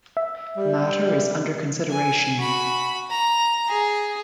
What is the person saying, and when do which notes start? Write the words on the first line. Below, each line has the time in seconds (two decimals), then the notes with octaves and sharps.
The matter is under consideration.
0.17 E5
0.57 G3
1.90 G#5
2.38 F#4 B5
3.10 A#5
3.68 G#4